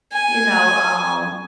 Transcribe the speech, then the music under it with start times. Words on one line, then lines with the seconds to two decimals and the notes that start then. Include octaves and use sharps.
you know, um,
0.12 G#5